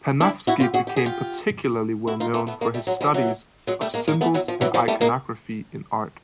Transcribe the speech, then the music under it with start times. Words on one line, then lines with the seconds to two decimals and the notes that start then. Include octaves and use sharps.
Panofsky became particularly well known for his studies of symbols and iconography in art.
0.20 D4 E4
0.47 E4 F#4
0.60 F4 G4
0.74 F#4 G#4
0.87 G4
0.96 G#4
1.06 F4 G4
2.07 E4 F#4
2.20 D#4 F4
2.34 A3 B3
2.47 A3 B3
2.61 G#3 A#3
2.74 G3 A3
2.87 F#3 G#3
3.01 F3 G3
3.14 E3 F#3
3.67 F#3 G#3
3.81 G3 A3
3.94 G#3 A#3
4.08 G#3 A#3
4.21 A3 B3
4.34 E3 F#3
4.48 F3
4.61 E3 F#3
4.74 F3 G3
4.88 G3 A3
5.01 G#3 A#3